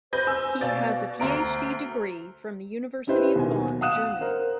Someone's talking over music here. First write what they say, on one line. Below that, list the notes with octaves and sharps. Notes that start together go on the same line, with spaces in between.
He has a Ph.D. degree from the University of Bonn, Germany.
B4 C5 G6 A#6
G#5 E6
B2 D5 F5 A6
D2 C5 A#5 D7
C#4 E4 G4 B4 C5
D#2 B2 G#5
F5 F#5 D#6 F#6 E7
A#4 C5